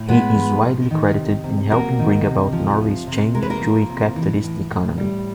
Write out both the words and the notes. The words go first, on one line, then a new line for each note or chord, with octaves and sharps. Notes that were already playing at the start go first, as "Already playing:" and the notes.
He is widely credited in helping bring about Norway's change to a capitalist economy.
Already playing: A2
G#3 B3 B4
F3
A2
D#3
C3
C3
F#3 A#3 A#4
D#3
C3
F3
C3
C3
G#3 A#4
B4
A#3 A#4
F3
C3
E3
A2
A2
G3